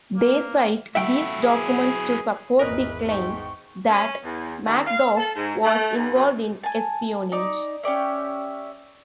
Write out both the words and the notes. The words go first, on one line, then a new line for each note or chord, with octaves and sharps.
They cite these documents to support the claim that Magdoff was involved in espionage.
A#3
F#3 A3 E4 E5 F#5 G5
G#4
G#1 E2 A#2 A#4 B4 D#5
G#2 G5 C#6
C#4
E2
D#2
F5
A4
G#2
A3
D#2
F#2
G#5 A5
D#4 D5
C#4 G4 D5 E5